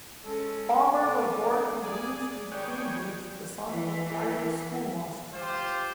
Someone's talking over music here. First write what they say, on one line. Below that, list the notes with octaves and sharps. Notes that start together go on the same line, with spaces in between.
Palmer was born in Green Street, Cambridge the son of a private schoolmaster.
G#3 C#4 A4
B2 D3 G3 D6
D6
G#4 D5
D#3 G3 G#4 C#5 D5 G5 F#6
E3
F4 G4 C5